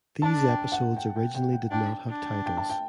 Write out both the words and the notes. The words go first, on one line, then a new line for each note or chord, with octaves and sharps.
These episodes originally did not have titles.
D4 A5
G5
F#5
G5
G5
G5
G5
D4 G5
D4
G5
A5
G5